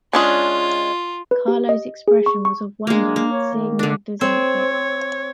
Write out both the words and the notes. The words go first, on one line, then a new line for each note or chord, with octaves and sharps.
Carlo’s expression was of wonder, seeing Magda’s outfit.
G#3 C#4 D4 F4
B4
G4
D#5
G#4
C#6
C#6
G#3 A#3 D4
A#3
C#5
D#3
D3 D4
C4 C#5